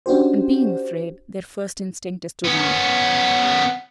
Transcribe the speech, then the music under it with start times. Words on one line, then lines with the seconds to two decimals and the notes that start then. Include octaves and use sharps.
And being afraid, their first instinct is to--run.
0.06 C#4 D4 F#4 G4 C5
2.45 B3 C#4